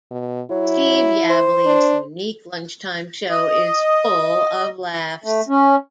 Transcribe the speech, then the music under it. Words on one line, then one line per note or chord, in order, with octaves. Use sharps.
Steve Yabsley's unique lunchtime show is full of laughs.
B2
F#3 E4
C5
D4
D#5
A3
C#4